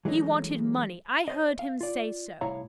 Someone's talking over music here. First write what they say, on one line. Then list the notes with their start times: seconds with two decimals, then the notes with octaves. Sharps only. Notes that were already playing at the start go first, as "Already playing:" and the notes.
He wanted money; I heard him say so.
0.05 E3 F#3 G#3 A3 C#4 D#4
1.28 C5 C#5 D#5
1.59 F5
1.81 F4 D5
2.41 C2 A2 E4 C#5 F5 A#5